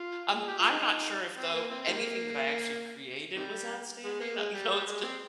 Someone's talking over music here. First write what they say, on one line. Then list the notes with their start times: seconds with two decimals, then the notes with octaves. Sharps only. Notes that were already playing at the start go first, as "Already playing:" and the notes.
um, I'm not sure if, though, anything that I actually created was outstanding, uh, you know, it's ju
Already playing: F4
0.37 G#4
0.48 G4
0.59 F4
0.70 G#3 C4 D#4
1.37 C4
1.53 A#3
1.70 C4
1.81 C4
1.87 D#3 G3 A#3
3.36 C3 D#3 G3
4.04 G#3
4.21 A#3
4.37 G#3
4.54 G3
4.70 G3
4.87 G#3
5.03 C4